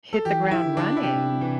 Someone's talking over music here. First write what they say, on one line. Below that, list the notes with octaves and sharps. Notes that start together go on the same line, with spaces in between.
hit the ground running.
A4
E3 G4
E4
D3
D4
E4
C3 G4
E3